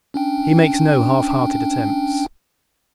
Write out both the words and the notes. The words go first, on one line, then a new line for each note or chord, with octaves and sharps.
He makes no half-hearted attempts.
C#4 D4 G5